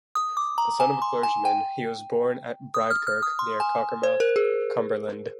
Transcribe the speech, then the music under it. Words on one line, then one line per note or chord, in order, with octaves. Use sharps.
The son of a clergyman, he was born at Bridekirk near Cockermouth, Cumberland.
D#6
D6
A#5
G#5
C6
G#5
G5
D#6
F6
F6
D#6
C6
G#5
C5
A#4
G#4